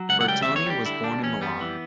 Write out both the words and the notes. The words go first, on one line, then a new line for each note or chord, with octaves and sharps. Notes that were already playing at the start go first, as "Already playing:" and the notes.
Bertoni was born in Milan.
Already playing: F#3
C#2 F#5
F#5
G3 G5
E5
E2
C#5
G3 G4
D3 E4
G3 D4
E2 C#4
G3 B3
E3